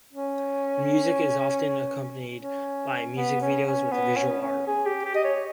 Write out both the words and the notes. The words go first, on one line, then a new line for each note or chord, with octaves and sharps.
The music is often accompanied by music videos with visual art.
C#4
C#4
B3
C#4
C#4
B3
C#4
C#4
G#4
G4
G4
D#5
C#5